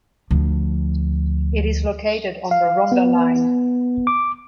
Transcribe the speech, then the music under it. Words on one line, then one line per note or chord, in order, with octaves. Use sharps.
It is located on the Rhondda Line.
D2 F3
F5
B3
D6